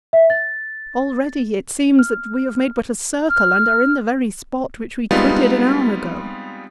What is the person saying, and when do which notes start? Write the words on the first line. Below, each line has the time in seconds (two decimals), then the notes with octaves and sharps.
Already it seems that we have made but a circle, and are in the very spot which we quitted an hour ago.'
0.13 E5
0.30 A6
1.99 F6
3.30 F6
5.11 G3 G#3 B3 C4 D#4 F4